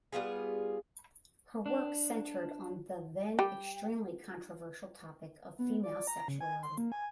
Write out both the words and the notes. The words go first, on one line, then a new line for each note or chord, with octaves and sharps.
Her work centered on the then extremely controversial topic of female sexuality.
G3 B3 F4 G#4
D4
G3 G5
B3
D5
A#5
C#3
G#5
C6
A#3
G#5